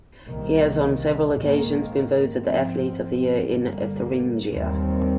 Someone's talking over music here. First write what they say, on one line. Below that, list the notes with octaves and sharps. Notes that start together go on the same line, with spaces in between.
He has on several occasions been voted the athlete of the year in Thuringia.
C2 C3 D#3 A#3
G#2 D#3 A#3
G#2 F3 C4
G2 D3 G3 A#3
D#2 D#3 G3 C4